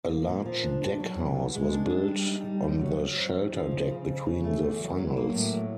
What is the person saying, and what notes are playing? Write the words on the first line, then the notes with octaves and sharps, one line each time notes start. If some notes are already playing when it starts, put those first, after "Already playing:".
A large deck house was built on the shelter deck between the funnels.
A#3
A#2
F3
D4
D4
F#3
B2
B2
G#3
D4
D4
G3
D#4
G3
F#2
F#3
F#3
F2
F2
F3
C#3
C#3
F2
C#3
A3
E2
F#3
F#3
A#3
A2
F#3